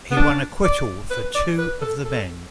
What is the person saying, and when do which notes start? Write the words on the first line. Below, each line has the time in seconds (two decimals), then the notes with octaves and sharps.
He won acquittal for two of the men.
0.11 B3
0.16 D4
0.64 D5
1.11 B4
1.35 D5
1.58 B4
1.81 A4
2.05 A4